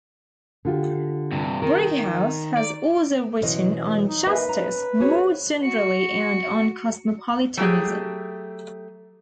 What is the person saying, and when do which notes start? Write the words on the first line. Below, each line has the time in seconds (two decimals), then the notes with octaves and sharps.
Brighouse has also written on justice more generally and on cosmopolitanism.
0.65 D3 F4 G4
1.32 G2 C3
1.62 D#3 A#4
2.57 D5
3.42 B2 E3 F#3 C#4 C5 D#5
4.07 D#4
4.27 A#3 B4 D#5 E5
4.49 C#4 A#5
5.00 C#4 F#4 G#4 C5 C#5
5.63 F#4 C#7
7.57 F#3 A3 G4 G#4